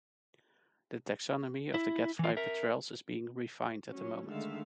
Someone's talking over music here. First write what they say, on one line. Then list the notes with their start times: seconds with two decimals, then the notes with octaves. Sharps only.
The taxonomy of the gadfly petrels is being refined at the moment.
1.74 E4
2.19 E3 F4
2.37 A#4 E5
3.93 F#3 C#4
4.27 D3 D#3 G#3 A3 E5 F5